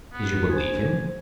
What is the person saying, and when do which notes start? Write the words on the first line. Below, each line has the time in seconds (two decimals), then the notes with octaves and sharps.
"Did you believe him?"
0.13 B3
0.51 C5 G#5